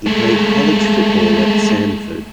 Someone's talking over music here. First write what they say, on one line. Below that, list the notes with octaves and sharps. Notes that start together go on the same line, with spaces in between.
He played college football at Samford.
G#3 A3